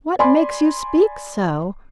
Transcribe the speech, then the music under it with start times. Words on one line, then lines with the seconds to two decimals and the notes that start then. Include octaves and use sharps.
What makes you speak so?
0.19 D5 G#5 B5 C6